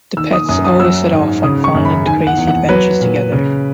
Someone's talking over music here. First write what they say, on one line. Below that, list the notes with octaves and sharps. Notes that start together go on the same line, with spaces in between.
The pets always set off on fun and crazy adventures together.
D#3 E6
D#6
F#2 D#6
D#6
F#3 E6
G#2
C#3 D#6
C#6
F#2
B5
D#3 G#5
F#5
E2
F#5
F#3 B4
A#2
C#3